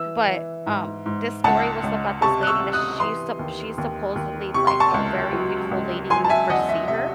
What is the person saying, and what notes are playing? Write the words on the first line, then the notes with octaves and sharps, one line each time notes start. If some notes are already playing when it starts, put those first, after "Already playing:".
But, um, this story was about this lady that she's supp she's supposedly, like, a very beautiful lady when you first see her,
Already playing: E3 E6
E3
G#2
G#2
C#2 F#5 A5
C#2
C3 A5 C#6
F#6
C#6 E6
C3
D#6 F#6
E3 C6 D#6
D#2
D#2
D#2
C3 C#6
C6
A5 C#6
C#2
F#3
C#2
F#3 G#5 C6
A5
E5 G#5
E2 D#5 F#5
E5
C3 E5